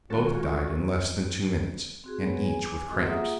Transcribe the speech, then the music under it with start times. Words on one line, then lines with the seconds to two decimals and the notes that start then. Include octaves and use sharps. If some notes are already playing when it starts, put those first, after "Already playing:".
Both died in less than two minutes, and each with cramps.
0.10 D#3 G#3 C#4 F4 F#4 A4
2.04 C4 F#4 G#4
2.23 F#3 G#3 B3 B4 C#5
2.37 G#4 G#5
2.64 G#5 D6
2.90 G#3 C4 F#4 G4 A4 D#5
3.05 A#3 F4 G#4 E5 F#5 D#6